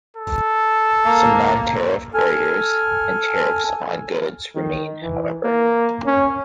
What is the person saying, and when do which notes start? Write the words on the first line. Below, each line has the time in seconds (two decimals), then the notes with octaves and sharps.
Some non-tariff barriers and tariffs on goods remain, however.
0.17 A4
1.05 A#3
2.14 A4 G#5 F6
4.55 D#3
5.02 E3
5.44 A#3
6.06 C#4